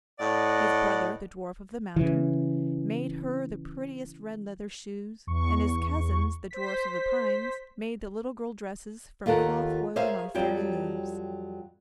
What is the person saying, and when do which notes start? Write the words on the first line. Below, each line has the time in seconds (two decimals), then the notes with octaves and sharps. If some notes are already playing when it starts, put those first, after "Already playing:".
His brother, the dwarf of the mountain, made her the prettiest red-leather shoes, and his cousins, the dwarfs of the pines, made the little girl dresses from cloth woven on fairy looms.
0.19 A2 D5 D#5 F#5
1.96 C#3 E3
5.27 E2 C#6
6.51 C5 B6
9.26 D#2 F4 A4 A#4 F#5
9.96 G#4 A#4 C5 C#5 E5 F5
10.35 F2 F#3 G3 G5